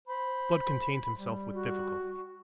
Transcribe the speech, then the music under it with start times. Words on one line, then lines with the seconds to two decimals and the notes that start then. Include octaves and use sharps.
Blood contained himself with difficulty.
0.08 C5 B5
1.16 G3
1.54 F#4